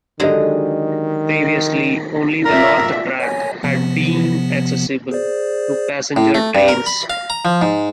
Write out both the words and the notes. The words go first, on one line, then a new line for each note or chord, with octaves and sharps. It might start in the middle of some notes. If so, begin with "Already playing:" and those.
Previously only the north track had been accessible to passenger trains.
D3 D#3 F#3 G#3 G4 D#5
F4 A#4 D5 E5
C#5 G#5
C3 F3 B3
G#4 C5 D5
A2
A3
G2
A#4
B5
F5
A#5
F3
G#2